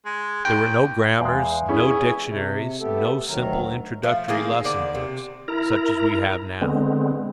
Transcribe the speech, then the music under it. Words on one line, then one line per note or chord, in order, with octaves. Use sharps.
There were no grammars, no dictionaries, no simple introductory lesson books, such as we have now.
G#3
D#2 G5
E2 G#3 F5
C#4 E4 G#4
C3
A3 B3 G4 A4
D2 D#3 F#3 A#4
F3 A3
D#3 A#3 C4 G#4
D3 D#3 D5
C3
E4 A#4 A#5
D3 G#3 B3 C4